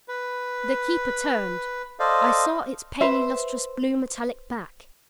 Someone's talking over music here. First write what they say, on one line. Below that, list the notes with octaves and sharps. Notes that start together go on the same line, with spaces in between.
The Keeper turned--I saw its palely lustrous blue metallic back.
B4
A4 C5 D5 D#5 F5
B4 C5 E5